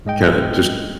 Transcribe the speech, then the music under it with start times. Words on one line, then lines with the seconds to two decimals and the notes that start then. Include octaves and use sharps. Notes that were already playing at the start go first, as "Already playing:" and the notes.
kinda just
0.05 G#2 G#3 D#5 G5